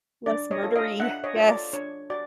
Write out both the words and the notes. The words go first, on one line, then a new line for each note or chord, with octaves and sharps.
Less murdery. Yes.
D4 D5
C#5 D#5
F4 A4 C#5
D#5 F5
D4 E5 F#5
C#5 D#5
F4 A4 C#5
D5
D4 C#5
F#4 D5